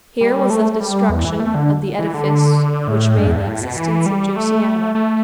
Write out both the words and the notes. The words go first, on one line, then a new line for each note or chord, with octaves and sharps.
Here was the destruction of the edifice which made the existence of Josiana.
G3
A3
G3
E2
E3
A3
D3
E3
D3
A2
G2
E2
G2
A2
B2
E3
G3
A3
A3